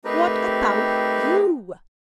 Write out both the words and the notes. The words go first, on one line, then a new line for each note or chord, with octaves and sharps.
What about you?
A3 C4 D#4 G4 A#4 B4